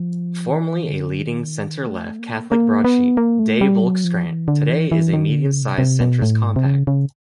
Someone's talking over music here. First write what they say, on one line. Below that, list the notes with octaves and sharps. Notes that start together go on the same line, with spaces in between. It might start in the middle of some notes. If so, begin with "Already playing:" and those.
Formerly a leading centre-left Catholic broadsheet, "de Volkskrant" today is a medium-sized centrist compact.
Already playing: F3
D#3
E3
D3
D#3
A3
A#3
A#3
B3
A#3
A3
G3
F#3
F3
E3
D3
E3
E3
D#3
D3
C#3
C3
C3
B2
A2
G#2
C3
C#3
C#3